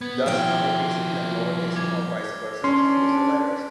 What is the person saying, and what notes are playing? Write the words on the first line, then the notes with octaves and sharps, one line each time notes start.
Thus uppercasing then lowercasing, or vice versa, changes the letters.
B3 G#6
B2 D#3 F3 E4 G5 F6 G7
D6 G#6
C#4 D4 C6